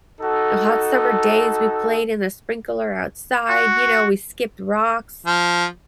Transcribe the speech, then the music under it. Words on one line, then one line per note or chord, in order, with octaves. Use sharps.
on hot summer days, we played in the sprinkler outside, you know, we skipped rocks,
D#4 F#4 A4
F#4
F3